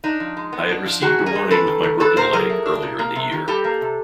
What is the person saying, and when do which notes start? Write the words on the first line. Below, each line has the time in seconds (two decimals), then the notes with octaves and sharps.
I had received a warning with my broken leg earlier in the year.
0.04 D4 D#4
0.20 F3
0.37 G#3
0.53 B3
0.69 D4
0.86 F3
1.02 D#3 F#4 G#4
1.19 D#3
1.26 G#4 A#4
1.35 G#3
1.51 C#4 A4 B4
1.67 D#3
1.83 D#3
2.00 D4 A4 B4
2.16 A#2 A#4 C5
2.33 F#3 G#4 A#4
2.50 A3
2.66 D4
2.82 A#2
2.99 A#3
3.16 C3
3.32 D#3
3.48 G3 G4 A4
3.64 A#3
3.81 C3